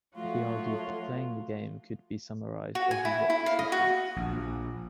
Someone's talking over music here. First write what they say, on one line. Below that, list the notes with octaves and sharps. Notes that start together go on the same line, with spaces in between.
He argued that playing the game could be summarised as you watch a sequence.
F3 F#3 A3 F4 F#4
F#4
G#5
E4
E4
F5
D#5
F#4
A#1